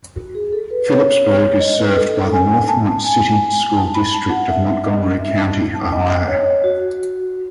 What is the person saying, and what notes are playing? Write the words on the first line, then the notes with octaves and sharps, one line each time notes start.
Phillipsburg is served by the Northmont City School District of Montgomery County, Ohio.
F#4
G#4
A4
B4
C#5
C#5
D#5
B4
A4
A4
G#5
A5
G#5
A5
B5
A5
F#5
E5
D#5
E5
A5
A5
D#5
C#5
F#4